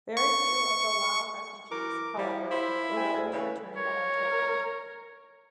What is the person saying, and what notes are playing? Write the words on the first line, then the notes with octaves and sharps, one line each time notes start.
Very few of the Lao refugees, however, were willing to return voluntarily.
C#6
E3 A#4 D6
F3 G3 E4
E4 C5
C4 G#5
D2 G#4
C#3 E3 B4
A#4 C#5